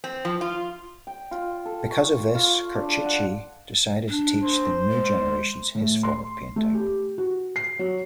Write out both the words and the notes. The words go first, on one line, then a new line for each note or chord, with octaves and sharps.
Because of this, Curruchiche decided to teach the new generations his form of painting.
C4
F3
F4
G5
F4
A4
C#6
F4
D4
F#5
D4
C5
G#3
A2
C6
A3
G4
F#4
C7
F#3